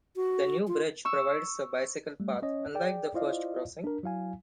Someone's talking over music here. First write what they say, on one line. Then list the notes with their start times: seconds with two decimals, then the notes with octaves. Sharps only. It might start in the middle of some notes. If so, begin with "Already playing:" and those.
The new bridge provides a bicycle path unlike the first crossing.
0.16 F#4
0.68 F4
1.05 C#6 E6
2.20 G3 A3
2.42 C#4 C#5 D#5
2.74 G#4 D5 G5
3.14 E4 F4 C5 D5 D#5 F5
3.84 D4 A#4
4.03 F#3 E4 F5 G#5